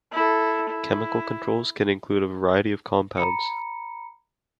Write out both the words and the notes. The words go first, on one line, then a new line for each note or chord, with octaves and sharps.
Chemical controls can include a variety of compounds.
E4 A4
E4
A#5 B5 C#7